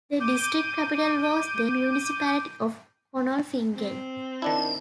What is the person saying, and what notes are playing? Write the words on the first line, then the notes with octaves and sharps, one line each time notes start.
The district capital was the municipality of Konolfingen.
D6 G6 D#7
C4
D#3 D4 E4 A5